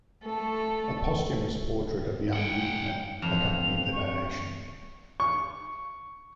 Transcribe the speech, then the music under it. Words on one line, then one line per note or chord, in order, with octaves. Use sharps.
A posthumous portrait of young Wijkman accompanied the donation.
A3 A4
F#5 G5
F2 F7
C#6
C#6